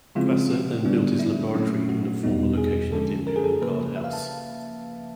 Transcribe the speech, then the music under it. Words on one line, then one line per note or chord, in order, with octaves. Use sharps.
Pasteur then built his laboratory in the former location of the imperial guard house.
C#3 F3 G#3 C4 E4 F4
F#4
D3 G3 B3 D4
E4
A#2 F#3 A3 C#4 E4
F#4
E2 B2 G3 B3 D#4
G#4
D3 F3 G#3 C#4 A4
A#4
G#4
A4
C#3 F3 A#3 B4
E5
F5
A5